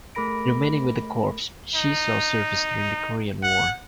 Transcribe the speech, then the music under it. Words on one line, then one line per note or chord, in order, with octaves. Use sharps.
Remaining with the Corps, she saw service during the Korean War.
A3 G#4 A#4 B5 A#6 D7
D#4
F#5